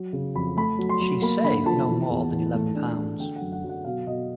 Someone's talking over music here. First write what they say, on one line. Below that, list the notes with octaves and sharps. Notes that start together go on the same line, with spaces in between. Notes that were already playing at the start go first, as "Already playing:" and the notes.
She’s saved no more than eleven pounds.
Already playing: F#3
C#3
F2 B5
A3 B5
F#3
C6
F#3
A#3 B5
D3 B5
F3 A5
E3
E2
E3
A3
D4
A3
D3 G5
F#2 F#5
F#5
F#3
F#5
B2 F5
B2 D#5